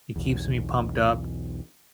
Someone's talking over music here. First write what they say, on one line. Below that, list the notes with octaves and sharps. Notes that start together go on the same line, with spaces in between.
It keeps me pumped up,
B1 E2